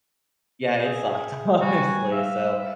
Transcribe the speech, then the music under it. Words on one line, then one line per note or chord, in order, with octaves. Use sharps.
yeah. It sucked, honestly. So
G#4 E5
G3 F#4 G#5
E5 F5